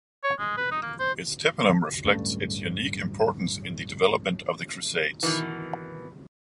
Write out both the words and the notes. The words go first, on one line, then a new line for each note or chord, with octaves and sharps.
Its tympanum reflects its unique importance in the development of the Crusades.
C#5
G#3
B4
D#4
A#3
C5
D1 G2 A3 C#4
B2 D#3 E3